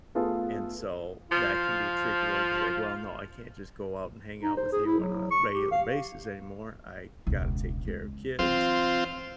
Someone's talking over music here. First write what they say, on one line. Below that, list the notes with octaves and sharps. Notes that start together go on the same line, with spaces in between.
and so that can be a tricky one 'cause, like, "Well, no, I can't just go out and hang out with you on a regular basis anymore. I gotta take care of kids,
A3 B3 F4 G#4 A4
F3 F4
D#4
C5
G#4
E4
F#3
C#6
G4
F5
E1 C#2
C#3 G#3
E3 F#3 C4 F4